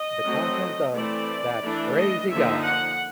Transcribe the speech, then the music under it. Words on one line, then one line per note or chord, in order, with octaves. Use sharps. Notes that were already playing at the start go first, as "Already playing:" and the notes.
The content of That Crazy Guy!
Already playing: D#5
F#3 A3 C4
E3 A3 C4 D5
E3 A3 D4
D#5
D3 F3 A#3 D#4 E5
F#5